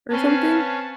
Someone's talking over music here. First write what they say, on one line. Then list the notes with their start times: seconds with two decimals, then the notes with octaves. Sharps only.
or something?
0.11 C4 C#4 B4 F5 G#5 A5